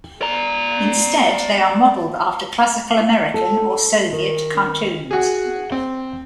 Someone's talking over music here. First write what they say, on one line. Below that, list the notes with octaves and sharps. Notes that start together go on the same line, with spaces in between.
Instead, they are modeled after classical American or Soviet cartoons.
D5 A#5
A4
D#3
F#4 G#4
C4